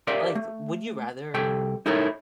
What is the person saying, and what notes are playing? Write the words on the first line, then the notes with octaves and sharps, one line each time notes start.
Like, would you rather
G4 A#4 D5 E5 F5
A3
C2 G4 A4 G5
D#4 E4 A4 A#4 C#5